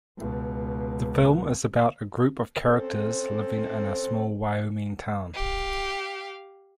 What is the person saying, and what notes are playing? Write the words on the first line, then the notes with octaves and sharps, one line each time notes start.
The film is about a group of characters living in a small Wyoming town.
C#2 B2
C4 C#4 A4 C5
G4 F5